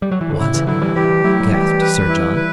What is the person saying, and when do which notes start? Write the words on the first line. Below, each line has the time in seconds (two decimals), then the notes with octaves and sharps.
"What!" gasped Sir John.
0.02 G3
0.11 F#3
0.21 E3
0.29 D3
0.39 A2 C#3 E4
0.54 C#3 E3
0.67 D3 F#3 E4
0.81 E3 G3
0.95 E3 G3 G4
1.24 F#3 A3 E4
1.40 F#3
1.52 E3 G3 G4
1.81 B4
2.08 E4
2.36 B4